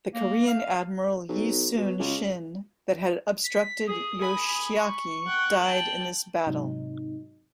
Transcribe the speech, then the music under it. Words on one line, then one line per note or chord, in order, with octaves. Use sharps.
The Korean admiral Yi Soon Shin that had obstructed Yoshiaki died in this battle.
A#3
F5
B1
B2
C#2
B6
G#4 D#6
G#5 B5
C#6
F#5 G5
G5 A5 F#7
G#2 C3 F#3 D#4